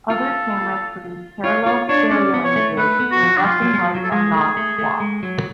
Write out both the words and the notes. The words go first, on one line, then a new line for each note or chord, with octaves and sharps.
Other cameras produce parallel stereoimages, where left and right are not swapped.
F4 A4
F4 C#5
F4 C#5
D4 C#5
C#4 D5
B3
C#5
A3
A3 B4
B3
F#4
F3
D4
F3 F4
F#3
G#3
F#3
F#3
A4
G#3 G#4
A3
A3
A3
G#3
F#3